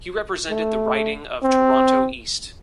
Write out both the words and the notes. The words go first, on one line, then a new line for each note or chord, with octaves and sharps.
He represented the riding of Toronto East.
A3
C4